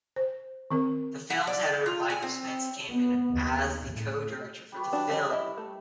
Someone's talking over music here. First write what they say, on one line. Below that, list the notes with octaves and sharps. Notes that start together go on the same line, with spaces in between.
The films editor Micheal Spence came in as the co-director for the film.
C5
D#3 C4 A#4
F#5
D5
F4
G#5
C4
B3
D#2
A2
G3 B4 C#6
E3 D4 F#4
F3 C#4
E4 D#5 E5
A3